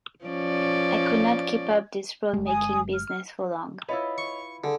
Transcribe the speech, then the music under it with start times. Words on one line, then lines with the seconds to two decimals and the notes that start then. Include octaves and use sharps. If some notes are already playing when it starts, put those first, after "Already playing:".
I could not keep up this roadmaking business for long.
0.25 F3 C#4 D5
2.33 G1 G#3
2.46 G#5 D#6
2.94 F6
3.89 E4 F4 B4 C#5 D#5
4.18 C#6
4.64 D3 G#4 A4